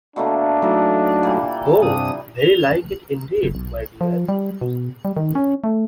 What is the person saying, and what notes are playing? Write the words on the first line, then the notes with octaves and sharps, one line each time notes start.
Oh, very like it indeed, my dear!
B2 A3 A#3 D4
E3 F#3 A3 D#4 E4 A#4
A#2 E3 G3
G2 C3 D4 D#6
F#1
B1
F3
G3
B2
G3
D#3
C#4
A3